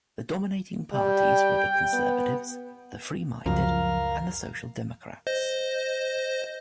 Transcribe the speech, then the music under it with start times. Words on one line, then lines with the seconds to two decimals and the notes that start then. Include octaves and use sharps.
The dominating parties were the conservatives, the freeminded and the social democrats.
0.93 G3 G5
1.93 B3
3.46 C#2 F#2 F3 A#4 F5
5.27 C5 D#5